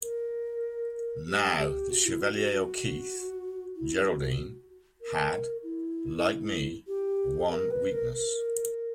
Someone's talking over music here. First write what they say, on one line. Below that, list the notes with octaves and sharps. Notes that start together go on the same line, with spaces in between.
Now the Chevalier O'Keefe, Geraldine, had, like me, one weakness.
A#4
G4
G4
F#4
E4
F#4
F#4
F#4
E4
G4
F#4
A#4
E4
G4
A#4
B4
A#4
A#4